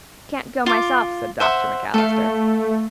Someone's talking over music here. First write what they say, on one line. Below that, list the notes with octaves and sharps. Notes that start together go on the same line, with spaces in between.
"Can't go myself," said Dr. McAllister.
F4 D6
C5 E5 F#5
A3 A4 F5